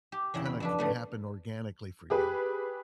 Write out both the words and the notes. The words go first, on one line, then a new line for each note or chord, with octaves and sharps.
kinda c happen organically for you?
G4
E2 C#3 E4
B5
F2 D4 B4
C#3 A3 B3
G4 G#4 B4